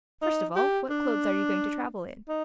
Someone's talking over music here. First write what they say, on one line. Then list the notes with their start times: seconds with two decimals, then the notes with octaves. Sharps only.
"First of all, what clothes are you going to travel in?"
0.22 D#4
0.56 G4
0.90 D4
2.29 D#4